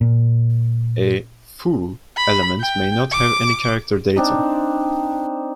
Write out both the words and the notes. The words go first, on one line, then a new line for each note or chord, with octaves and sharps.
A "foo" element may not have any character data.
A#2
B5
G5
D6
C4 D4 D#4